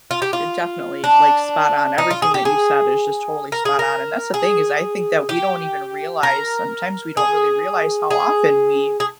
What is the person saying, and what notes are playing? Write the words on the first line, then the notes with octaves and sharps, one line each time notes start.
it definitely, like, spot-on, everything that you said is just totally spot-on, and that's the thing is, I think that we don't even realize sometimes we don't really realize how often we
F4
G4
F4
D4
D#4
F4
G#4
G4
G#4
A#4
G#4
A#4
G#4
G4
A#4
G#4
G#4
G#4